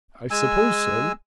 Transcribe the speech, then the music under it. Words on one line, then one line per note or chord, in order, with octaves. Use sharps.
I suppose so.
G#3 G#5 E6